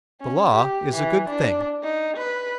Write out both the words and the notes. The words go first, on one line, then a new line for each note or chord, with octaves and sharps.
The Law is a good thing.
C#4
G4
E3
D4
D#4
B4